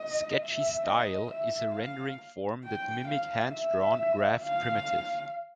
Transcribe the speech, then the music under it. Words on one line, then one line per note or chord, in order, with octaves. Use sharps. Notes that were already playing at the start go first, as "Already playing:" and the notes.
Sketchy style is a rendering form that mimic hand-drawn graph primitive.
Already playing: D#5
E5
D#5
E5
F5
G5
F5
E5
F5